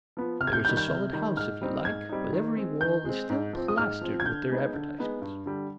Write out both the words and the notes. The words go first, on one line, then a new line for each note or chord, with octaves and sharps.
There is a solid house if you like, but every wall is still plastered with their advertisements.
F3 B3
C3 F6
G#6
G6
D#3 G3 G6
G6
C3
D#3 G3
G#2 F6
G3 C4 D#4
G#2 G#6
G3 C4 D#4
D#3
G#3 C4
D#3 G6
G#3 C4
G#2
F3 C4
D#6
G#2 F6
F3 C4
G#6
D3 G6
G#3 B3 D#4
D3
G#3 B3 D#4
G2
D3 G3